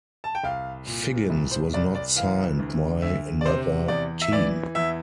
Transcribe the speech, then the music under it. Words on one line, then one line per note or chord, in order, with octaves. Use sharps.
Figgins was not signed by another team.
A5
G5
C2 F5
A#2
C2
C5
C2 D5
D5
E3 F5
D2
D2 E5
D5
C3 C5
E2 D5
E5
E3 D5
E2 E5